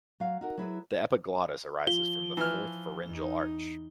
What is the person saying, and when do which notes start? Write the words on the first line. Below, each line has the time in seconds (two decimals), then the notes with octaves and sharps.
The epiglottis arises from the fourth pharyngeal arch.
0.20 F#3 F5
0.41 D#4 F#4 A#4
0.58 F#3 E4 G#4 B4
1.87 F3 F4 G7
2.37 E3 F6
3.05 E2 D#4